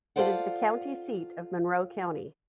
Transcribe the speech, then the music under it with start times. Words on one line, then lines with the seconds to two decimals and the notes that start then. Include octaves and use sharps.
It is the county seat of Monroe County.
0.16 F4 F#4 A4 C5 D5 F#5